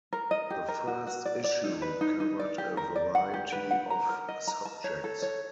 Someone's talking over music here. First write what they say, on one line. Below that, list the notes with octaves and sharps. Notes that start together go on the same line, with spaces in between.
The first issue covered a variety of subjects.
A#4
D#5
G4
A#4
F#4
F#4
D5
D5
D#4
B4
D#4
D#4
D5
G4
A#4
D5
F#5
G4
B4
F#5
A#5
A#4
D#5
A#5
A5
C#5
A4
C#5